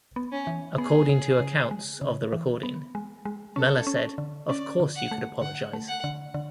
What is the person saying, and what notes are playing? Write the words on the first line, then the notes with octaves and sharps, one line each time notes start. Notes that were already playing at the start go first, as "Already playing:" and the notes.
According to accounts of the recording, Mellor said: Of course you could apologise.
B3
C#4
E3
B3 G#4
C#3
C#3
G#3
C#3
E3
B3
G#3
G#3
C#4 A4
C#4
D3
C#4 D5
D3
F#5
A3
D3 F#5
A3
F#5
D3
D3